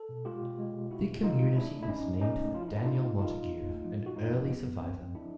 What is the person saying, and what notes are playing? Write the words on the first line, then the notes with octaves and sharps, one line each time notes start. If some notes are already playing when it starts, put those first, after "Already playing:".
The community was named for Daniel Montague, an early surveyor.
Already playing: A4
B2
G#3 F4 G4
B2
G#3
B2
G#3 E4 F#4
B2
G#3 D#4 F4
B2
A#2 D4 E4
A3
E4
F3 C#4 D#4
A#2
E4
A#2 C#4 D#4
A3
F3 F4
E4
A#2 D#4
D4 E4
A#2 D#4 F4
A3
F3 D#4 F4
A#2
A#2
A3
F3
A#2
F#4
F#2 D#4 F4
F3
D3 B3
F#2
F#2 C4
F3
D3 D4 E4